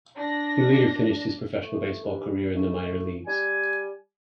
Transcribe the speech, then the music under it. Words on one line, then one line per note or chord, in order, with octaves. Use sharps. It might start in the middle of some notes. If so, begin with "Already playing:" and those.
He later finished his professional baseball career in the minor leagues.
D4 A#6
A3
G2
A3
G3 G#5